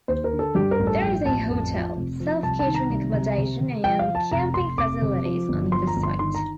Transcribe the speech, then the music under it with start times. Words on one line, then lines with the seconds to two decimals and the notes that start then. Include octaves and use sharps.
There is a hotel, self-catering accommodation and camping facilities on the site.
0.08 D#2 C5
0.24 A#4
0.32 D3
0.39 A4
0.55 G2 G4
0.71 A#4
0.79 A1
0.87 A4
1.02 F3 G5
1.25 A1 A5
1.50 F2
1.73 F3
1.96 F1
2.20 F3
2.43 C2 A5
2.59 A5
2.66 D#3
2.74 A#5
2.90 C2
3.13 C3
3.38 C3
3.61 C3
3.84 F3 G5
3.99 F5
4.08 F3
4.15 A5
4.31 F1 A#5
4.54 F1 C6
4.77 F1 D6
5.02 C3
5.25 F3
5.49 G1
5.71 F3 C6
5.87 A#5
5.96 G1
6.03 C6
6.19 D#3 C6
6.35 A#5